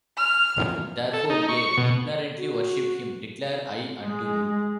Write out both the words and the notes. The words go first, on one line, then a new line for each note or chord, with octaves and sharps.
Whom therefore ye ignorantly worship, him declare I unto you.
F6
A4
D#4
C#6
B2
F#4
G#3